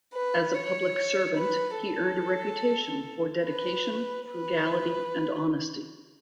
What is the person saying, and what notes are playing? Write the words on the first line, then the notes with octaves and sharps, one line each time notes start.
As a public servant, he earned a reputation for dedication, frugality, and honesty.
B4
C#5
B4
A4
B4
B4